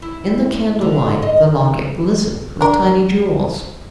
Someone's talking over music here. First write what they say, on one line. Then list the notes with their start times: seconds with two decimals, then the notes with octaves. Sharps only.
In the candle-light the locket glistened with tiny jewels.
0.02 E4
0.81 D3
1.22 D#5
2.61 D4 A#4